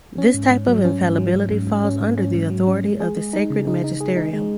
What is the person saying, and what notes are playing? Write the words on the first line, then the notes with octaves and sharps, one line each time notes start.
This type of infallibility falls under the authority of the sacred magisterium.
C#4
G#2
G#2
F#3
C#4
G#2
F#3
G#2
G#2
G#2
C#4
G#2
C#4
G#2
F#3
C#4
G#3
G#4
G#3
D#4
C#3
D#4
D#4
G#4
D#4
G#3